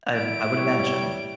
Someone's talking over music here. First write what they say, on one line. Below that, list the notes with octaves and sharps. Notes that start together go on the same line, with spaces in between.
I I would imagine.
E4 D7
G3 C#5